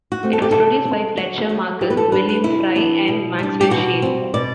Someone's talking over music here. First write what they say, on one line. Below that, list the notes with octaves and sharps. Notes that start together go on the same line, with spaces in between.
It was produced by Fletcher Markle, William Frye, and Maxwell Shane.
F#4
A3 C4
A4
G4
C3 A4
G3 C4
D3 F#4
F#3 A3
E3 G4
B4
A4
G3 D4 B4
B4
C3 E4
E3 B3 D4
B2
G3 D4
G4
B2 F#4
G3 C4
B2 D5